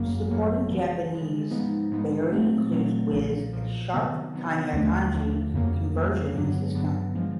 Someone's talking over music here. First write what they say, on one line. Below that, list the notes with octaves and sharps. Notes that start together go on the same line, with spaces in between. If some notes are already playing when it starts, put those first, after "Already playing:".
Supporting Japanese, Berry includes Whiz, a sharp Kana-Kanji conversion system.
Already playing: G#1 F#2 C#3 F#3 A#3
G#1 F#2 C#3 F#3 A#3
C#3 E3 G#3
C#3 E3 G#3
G#2 F3 G#3 B3 D#4
G#2 F3 G#3 B3 D#4
A#2 F#3 A3 C4
A#2 F#3 A3 C4
B1 A#2 F3
B1 A#2 F3
C3 D#3 F#3 B3
C3 D#3 F#3 B3
D#2 D3 F3 A3 D4
D#2 D3 F3 A3 D4
F2 C#3 F#3 A#3
F2 C#3 F#3 A#3
G2 D3 F#3 B3 D4
G2 D3 F#3 B3 D4
D3 F3 G#3